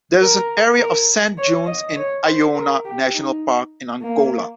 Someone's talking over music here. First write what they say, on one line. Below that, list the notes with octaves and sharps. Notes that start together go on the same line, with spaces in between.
There is an area of sand dunes in Iona National Park in Angola.
A#4
A#4
C#5
D#5
C#5
C5
A#4
G4
D#4
A#3